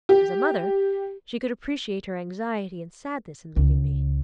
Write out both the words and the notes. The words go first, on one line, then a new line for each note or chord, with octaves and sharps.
As a mother, she could appreciate her anxiety and sadness in leaving me.
G4
C#2